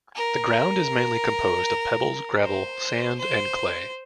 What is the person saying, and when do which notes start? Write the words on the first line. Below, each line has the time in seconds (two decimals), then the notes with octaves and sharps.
The ground is mainly composed of pebbles, gravel, sand and clay.
0.15 A#4
2.43 C5
3.19 C5